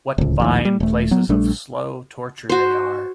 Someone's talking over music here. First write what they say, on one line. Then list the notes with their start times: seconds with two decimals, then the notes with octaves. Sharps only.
What fine places of slow torture they are!
0.18 D1 C#2
0.40 A#1 D#2 A2
0.65 G3
0.80 D#1 A3
1.11 F#3 B3
1.29 A#1 G3 A3 D4
2.49 F#4 C5